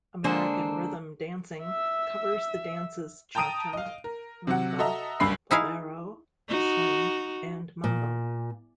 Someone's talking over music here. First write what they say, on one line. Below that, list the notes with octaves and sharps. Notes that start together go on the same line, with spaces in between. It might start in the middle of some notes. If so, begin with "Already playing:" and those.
American Rhythm dancing covers the dances cha cha, rumba, bolero, swing, and mambo.
D3 G#3 A#3 D4 C5
E5 E6
G5 A5 A#5 D#6 D7 D#7
D#5 F5
A#4
C3 F#3 F#5
F#4 A4 D#5 E5 A#5
F#1 D2 G2 B5 E6 C7
D#4 E4 G#4 F5
D#4 F#4
A#2